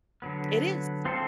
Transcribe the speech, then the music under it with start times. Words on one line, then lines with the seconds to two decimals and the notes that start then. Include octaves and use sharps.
it is.
0.22 D3 F#3 B3
1.05 C4 F4 A4 C5